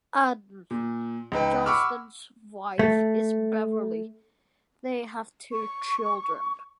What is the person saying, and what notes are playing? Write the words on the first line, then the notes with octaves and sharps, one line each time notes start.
Adm. Johnston's wife is Beverly, they have two children.
A#2
C#2 D#4 B4 G5
F#5 B5 C#6 D6 E6 F6
A3
C#6